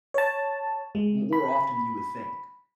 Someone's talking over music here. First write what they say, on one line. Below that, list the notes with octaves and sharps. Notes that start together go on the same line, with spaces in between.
more often than you would think.
C#5 A5
G#3
B5